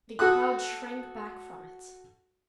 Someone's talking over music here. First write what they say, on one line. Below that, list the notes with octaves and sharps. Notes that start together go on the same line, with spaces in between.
The crowd shrank back from it.
F#4 A4 D#6 F#6